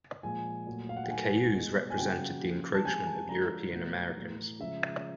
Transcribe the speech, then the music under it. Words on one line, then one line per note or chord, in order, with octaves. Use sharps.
The Cayuse resented the encroachment of European Americans.
A#2 F3 G#3 G#5
A#2 F#3 A3
F5
F#5
G5
D#3 F#3 A3 G#5
B2 G#3
G#5
C#3 F#3 A#3 G5
C#3 F3 A#3
A5
C3 F3 G#3 G#5
A5
D3 F3 G#3 A#5
B2 F#3 A3
A2 E3 A3
C#3 F3 G#3 E5